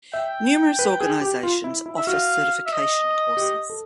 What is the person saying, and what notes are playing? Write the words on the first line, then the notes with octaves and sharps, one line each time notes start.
Numerous organizations offer certification courses.
E5 G5
B4
G#4
G4
F4
E4
E4
E5
F#4 F5
E5
D#5
G4
A4